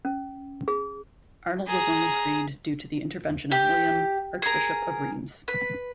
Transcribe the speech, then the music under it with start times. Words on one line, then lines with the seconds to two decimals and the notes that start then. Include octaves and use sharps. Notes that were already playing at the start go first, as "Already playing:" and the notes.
Arnold was only freed due to the intervention of William, Archbishop of Reims.
0.05 C#4
0.68 G#4
1.68 G#4 A#5
3.51 G4
4.42 G#4 A#4
5.48 B4